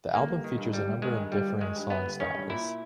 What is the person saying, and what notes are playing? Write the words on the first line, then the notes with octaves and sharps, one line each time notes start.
The album features a number of differing song styles.
G1 A#3
G1
D#3
G2
G1 G3
G1
D#3 G#3
G2
G1 G3
G1
D#3 G#3
G2
G1 B3
G1
D#3 C#4
G2
A#2 E4